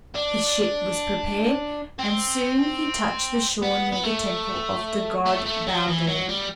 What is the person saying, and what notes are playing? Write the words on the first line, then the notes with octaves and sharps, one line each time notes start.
His ship was prepared and soon he touched the shore near the temple of the god Balder.
D4
C4
B3
B3
A3
A3
A3
F#3
E3
F#3
G3